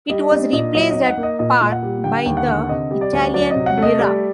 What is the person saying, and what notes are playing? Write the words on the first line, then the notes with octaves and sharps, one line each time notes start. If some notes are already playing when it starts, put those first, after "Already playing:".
It was replaced at par by the Italian lira.
G3 D#5
D4 D#5
A#2 D#5
F#3 D#5
D#5
D#4
F#5
A#3
D#5
A#2 D#5
A#2 D#5
F#5
G3
D3 G5
D#2 G5
F#5
D3
C3 D#5
G3
D5
D2
F#3 D5
D#5
C3
F#5
A3
D#5
G3 D5